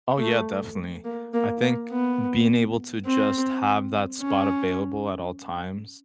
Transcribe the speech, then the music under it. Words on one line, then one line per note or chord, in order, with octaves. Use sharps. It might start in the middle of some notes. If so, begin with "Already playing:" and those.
Oh yeah, definitely, I think being able to just have that spot available at all times
A3
A#3
A#3
A#3
B3
C4
C#4